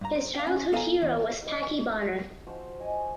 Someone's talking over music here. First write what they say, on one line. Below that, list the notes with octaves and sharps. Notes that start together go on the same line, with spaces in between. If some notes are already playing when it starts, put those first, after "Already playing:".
His childhood hero was Packie Bonner.
G2 A#5
C5
F5 G5
C#4
B3 A4 F5 F#5 G#5 A#5
E2
D#4
F3 F#4 C5
D#5 G#5